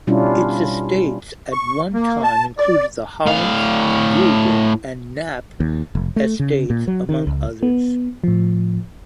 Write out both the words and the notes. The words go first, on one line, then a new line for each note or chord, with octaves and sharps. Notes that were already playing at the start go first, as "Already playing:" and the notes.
Its estates at one time included the Hollins, Gulden, and Knapp estates, among others.
B2 G3 C#4 D4 E4 F4
C#6
A#3
A5
D5
A2 F5
D#2
F1
A3
C#3
A#2
F#3
D#3
C#2
B3
A2 F3